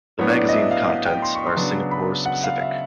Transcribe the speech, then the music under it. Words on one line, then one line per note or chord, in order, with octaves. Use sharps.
The magazine contents are Singapore-specific.
A2 F#3 B3 D4 C#5
D5
D#5
E5
F5
F#5
G5
C6
C#6
C6
C#3 F#3 B3 D4
B5
F#5
F5
E5